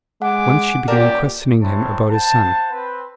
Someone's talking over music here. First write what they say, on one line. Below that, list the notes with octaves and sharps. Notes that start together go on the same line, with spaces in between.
Once she began questioning him about his son.
G#3 F#5 G#5 D6
A#2 C#4 G4 A#4 D5 A5
G#3 C4 E4 C#5 A5
C5 F#5 A5
C4 B4